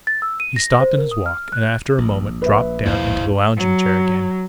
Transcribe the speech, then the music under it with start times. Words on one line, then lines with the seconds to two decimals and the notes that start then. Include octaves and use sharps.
He stopped in his walk, and, after a moment, dropped down into the lounging chair again.
0.07 A6
0.22 E6
0.40 D#7
0.56 A#6
0.81 C5
0.98 A#4
1.11 D#6
1.26 F6
1.52 F#6
1.98 A#1
2.42 B4 E5
2.86 B1 E2 A#3 E4 C5 F5
3.56 F#3